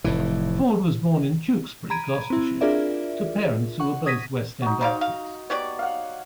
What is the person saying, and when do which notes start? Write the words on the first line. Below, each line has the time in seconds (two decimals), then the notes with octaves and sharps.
Ford was born in Tewkesbury, Gloucestershire to parents who were both West End actors.
0.04 F1 A2 E3
1.90 A#5 B5 G#6 D7 D#7
2.30 C4 E4
2.61 D4 F4 G#4 A#4 D5 E5
3.80 F#5 C#6
4.06 D#6 G#6 A#6 B6 D#7
4.62 D#4 F#4
4.81 D#4 C5 D5 F5
5.01 F5
5.50 B3 G4 C#5 D5
5.79 F5 F#5